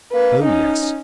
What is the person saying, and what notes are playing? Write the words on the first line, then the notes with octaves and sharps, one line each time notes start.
Oh, yes!
A#3 B4
C#4 D#4